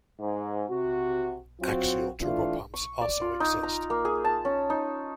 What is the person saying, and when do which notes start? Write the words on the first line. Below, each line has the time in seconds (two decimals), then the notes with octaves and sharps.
Axial turbopumps also exist.
0.19 G#2
0.69 C3 F#4
1.60 F#3 C4 F4 F#4
2.21 E3 A3 D4 F4
2.74 C#6
3.01 D5
3.21 F4
3.40 D#4
3.63 A#5
3.90 A#3
4.05 G#4
4.25 A5
4.45 C#4
4.70 D#4